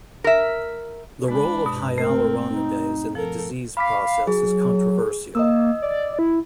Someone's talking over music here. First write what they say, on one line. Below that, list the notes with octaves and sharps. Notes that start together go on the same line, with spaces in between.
The role of hyaluronidase in the disease process is controversial.
A#4 E5
G#3 D4 B5
G2 B2
A3 C4 A#4
D#4
F3 A4 A#4
F5 B5 D6 B6
F#3 G#4
A#3 D#5 D#6 E6
D5
E4